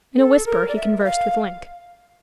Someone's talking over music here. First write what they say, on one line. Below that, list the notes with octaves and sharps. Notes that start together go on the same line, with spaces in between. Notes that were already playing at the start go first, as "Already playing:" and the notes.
In a whisper he conversed with Link.
A4
A#4
D5
E5
E5
F5